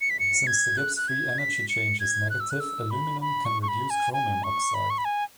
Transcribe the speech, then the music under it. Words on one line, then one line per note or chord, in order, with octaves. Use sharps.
Since the Gibbs free energy change is negative, aluminium can reduce chromium oxide.
C#7
B6
C#7
G#6
F#6
F#6
G#6
B6
C#7
G#6
F#6
E6
F#6
E6
B5
B5
C#6
C#6
B5
G#5
G#5
C#6
B5
C#6
B5
G#5